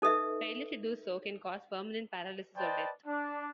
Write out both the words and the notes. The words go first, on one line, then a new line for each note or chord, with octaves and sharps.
Failure to do so can cause permanent paralysis or death.
D#4 A4 B4 D#5 E5
B4 C5 D5 D#5 G5 A5
D4